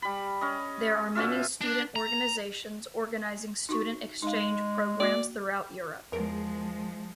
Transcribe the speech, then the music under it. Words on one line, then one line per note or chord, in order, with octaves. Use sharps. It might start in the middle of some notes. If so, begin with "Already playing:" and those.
There are many student organisations organizing student exchange programmes throughout Europe.
G3 B5
C#4 D#5
B2 C#4 F4 E5
D4
A#5
D#4 F#4 C#6
G#3 D#4 F5
A#3 F#4 D5
E2 F3 G#3 A#4 D7